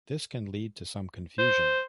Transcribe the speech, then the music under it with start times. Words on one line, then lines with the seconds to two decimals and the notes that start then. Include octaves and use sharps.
This can lead to some confusion.
1.39 C5